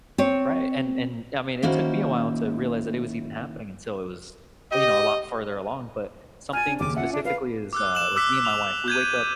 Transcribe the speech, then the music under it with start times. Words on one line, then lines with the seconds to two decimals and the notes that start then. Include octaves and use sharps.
right, and and, I mean, it took me a while to realize that it was even happening until it was, you know, a lot further along, but something specifically is, uh, like, me and my wife, we wake up
0.18 C4 C#5
1.62 D#3 A#3 C#4 E4 F#4 C5
4.71 G4 D#5
6.53 G#5 F6 A6
6.66 D4
6.80 F#1 D#2 D6 D#7
6.96 C#4 F4 E5 F#5
7.13 D4
7.25 B4 F5
7.73 D6 E6 F#6
7.95 E7 F#7
8.16 D6 E6 F#6 B6
8.45 F7
8.88 G6 G#6 D#7